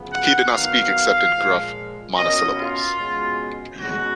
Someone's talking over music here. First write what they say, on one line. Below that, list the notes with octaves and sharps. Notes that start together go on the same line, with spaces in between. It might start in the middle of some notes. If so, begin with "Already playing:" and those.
He did not speak except in gruff monosyllables.
Already playing: F#2 C#3 F3 B3
F#5
D#3 F#3 B3 F5
A#2 F3 G#3
B2 A#3 C#4 D#5
F4
B2 G#3 C#4
B2 G#3 C#4 F#4